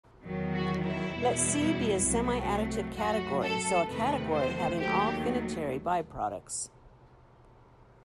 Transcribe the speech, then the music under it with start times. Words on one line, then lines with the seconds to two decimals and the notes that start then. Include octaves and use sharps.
Let C be a semiadditive category, so a category having all finitary biproducts.
0.24 E2 D#3 F#3
0.54 F#4
0.84 E4
1.15 E2 B2 G3
2.06 C2 C3 F#3 A3
2.97 F#2 F#3 A3 F#4
3.42 A4
3.88 E2 C3 D#3 A3 B4
4.34 C5
4.79 D#2 D#3 F#3 A3 G4